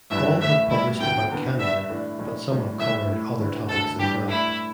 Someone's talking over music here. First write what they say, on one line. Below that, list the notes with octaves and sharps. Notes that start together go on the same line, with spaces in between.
All have published about Canada, but some have covered other topics as well.
A1 G2 G3 E4 E5
A1 A2 A3 E5
A1 A2 G3 E4
D2 D3 B3 G5
E2 D3 B3
G2 G3 D4 E5
A2 E3 A3 D4
B1 A2 A3 D4
A2 G3 D4
A1 A2 E3 G3 E5
A2 A3 E4
G1 G2 D3 G3 E4
E1 D2 D3 A4
G2 E3 G3 D4 G4
A2 A3 D4 E4